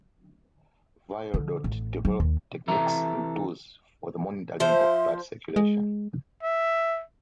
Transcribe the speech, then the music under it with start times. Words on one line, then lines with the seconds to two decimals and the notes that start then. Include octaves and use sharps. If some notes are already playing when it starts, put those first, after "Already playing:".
Vierordt developed techniques and tools for the monitoring of blood circulation.
1.34 D3
1.64 A1
2.05 F#3
2.20 D#2
2.68 C3 E3 A4 E5 A#5
4.60 F3 C5 E5
5.56 G#3
6.43 E5